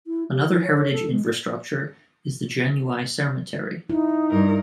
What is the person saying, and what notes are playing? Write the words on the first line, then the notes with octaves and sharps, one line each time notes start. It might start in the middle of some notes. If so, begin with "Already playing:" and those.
Another heritage infrastructure is the Janiuay Cemetery.
E4
G4
E4
C#5
C#5
A4
G#3
D#4 E4
G2 A#4